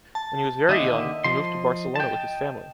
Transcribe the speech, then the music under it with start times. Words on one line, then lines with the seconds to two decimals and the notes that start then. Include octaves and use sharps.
When he was very young, he moved to Barcelona with his family.
0.15 A5
0.69 D#2 D3 D#5 E5
1.24 F3 C6
1.96 G5 A5